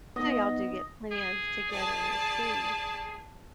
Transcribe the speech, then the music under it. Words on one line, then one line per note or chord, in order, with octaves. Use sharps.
So y'all do get plenty of togetherness too.
B3 D#4 D#5
G#4
D5 A5